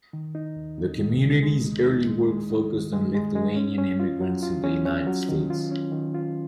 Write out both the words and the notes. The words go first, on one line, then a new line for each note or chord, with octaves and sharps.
The community's early work focused on Lithuanian immigrants in the United States.
D#3
D#4
D#2
D#2
D#3
G#3
G#3
D#2
D#4
G#3
G#3
D#4
D#3
G#3
G#3
G#3
C#4
C#4
F4
F#3
F4
C#4
C#4
F#3
D#3
F4
C#4
D#3
F4